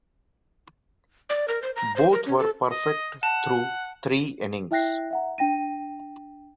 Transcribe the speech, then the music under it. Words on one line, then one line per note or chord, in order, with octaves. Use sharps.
Both were perfect through three innings.
D5
A#4
C5
A#5
C5
A#4
C#4
A4
D#5
F#5 A5
E4 E5 G5 F#6 A#6 C7
E5 F#5 A#5
D4 G5 A#6 D#7